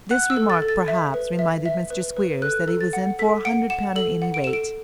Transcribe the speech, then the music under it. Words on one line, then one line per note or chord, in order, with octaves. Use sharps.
This remark, perhaps, reminded Mr Squeers that he was in for a hundred pound at any rate.
F#5 F#6
E6
A4
A6
A4
A6
E5
B4
E5
E5
B4
B4
A4 F#6
A4
A6
F#5
A4 B6
F#5 D7
F#5 E7
A4 F#7
F#5
D7
A4 E7
D7